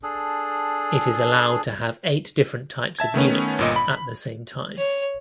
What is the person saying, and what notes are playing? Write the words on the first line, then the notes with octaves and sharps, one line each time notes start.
It is allowed to have eight different types of units at the same time.
D4 G#4 A4
E5 A5 G#6
D#3 A3 B3 C#4
G1 A#2 D#5
B5
C#5